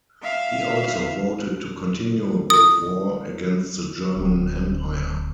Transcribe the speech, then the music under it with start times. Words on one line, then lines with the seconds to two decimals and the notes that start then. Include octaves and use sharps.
He also voted to continue the war against the German Empire.
0.23 E5 F5
2.50 D#6
4.16 D1 D2 C4